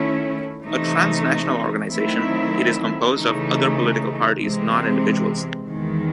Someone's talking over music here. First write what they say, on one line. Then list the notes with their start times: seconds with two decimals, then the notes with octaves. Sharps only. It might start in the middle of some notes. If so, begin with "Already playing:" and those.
A transnational organisation, it is composed of other political parties, not individuals.
Already playing: D#3 A3 C#4 E4
0.63 C3 E3 A3 D#4
1.89 D#3 F#3 A3 C4 E4
3.14 C#3 E3 A3 D#4
4.40 C3 E3 G#3 C4
5.66 E2 D#3 G#3